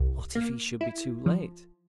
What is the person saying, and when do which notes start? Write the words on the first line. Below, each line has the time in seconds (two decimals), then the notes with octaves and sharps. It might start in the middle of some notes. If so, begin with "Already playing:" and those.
What if he should be too late?
Already playing: C2
0.35 A#3
0.81 E4
1.26 F3